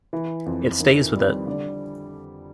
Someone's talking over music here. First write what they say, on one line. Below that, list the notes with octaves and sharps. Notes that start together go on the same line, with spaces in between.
It stays with it.
E3
F2
D#3
G3
D3 D5